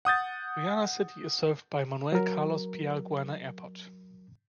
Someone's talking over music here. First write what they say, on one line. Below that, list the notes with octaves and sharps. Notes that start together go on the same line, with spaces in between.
Guayana City is served by Manuel Carlos Piar Guayana Airport.
F#5 D#6 G6 A6
F#3 A#4